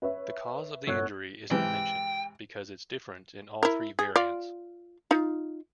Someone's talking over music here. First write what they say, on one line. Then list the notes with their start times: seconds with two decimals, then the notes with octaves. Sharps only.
The cause of the injury isn't mentioned, because it's different in all three variants.
0.02 B4 C#5 E5
0.87 G1 B3 C#5 F#6
1.51 G#2 C3 E3 G5
3.63 E4 A#4
3.99 G#4
4.16 F4 D5
5.11 D#4 F4